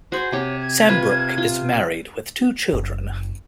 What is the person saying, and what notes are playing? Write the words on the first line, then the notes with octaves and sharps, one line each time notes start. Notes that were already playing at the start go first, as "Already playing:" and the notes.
Sambrook is married with two children.
F#4 G#4 C5 B5
C3 G4 C#5
G#6
C3 F4 B4
F4
F#1